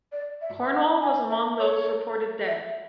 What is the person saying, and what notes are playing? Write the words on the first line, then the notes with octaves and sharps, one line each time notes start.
Cornwall was among those reported dead.
D5
E5
F#5
G#5
E5
C#5
E5